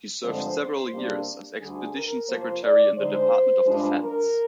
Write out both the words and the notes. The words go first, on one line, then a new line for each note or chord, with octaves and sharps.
He served several years as expedition secretary in the Department of Defense.
G2 D3 F3 G#3 C4 C5
C3 G3 A#3 D4
D2 D3 G3 D4 G#4
A#4
C3 F3 A#3 C5
D5
D3 G#3 D#4 C5
G2 F3 G#3 D4
A#4